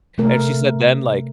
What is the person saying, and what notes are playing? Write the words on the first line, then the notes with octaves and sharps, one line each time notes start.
And she said then, like,
C3 A3 A#4